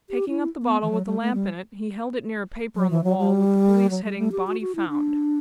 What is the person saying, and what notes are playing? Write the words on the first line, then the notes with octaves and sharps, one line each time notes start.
Taking up the bottle with the lamp in it, he held it near a paper on the wall, with the police heading, BODY FOUND.
G4
E4
B3
E3
F#3
G3
A3
G3
F#3
E3
F#3
G3
F#3
G3
A3
G4
F#4
F#4
E4
D4